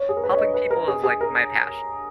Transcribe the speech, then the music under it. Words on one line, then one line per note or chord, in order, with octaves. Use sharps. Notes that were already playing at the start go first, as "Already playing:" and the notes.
helping people is, like, my passion,
Already playing: C#5
G#4
A#4
B4
C#5
D#5
B4
A#4
G#4
G#4
A#4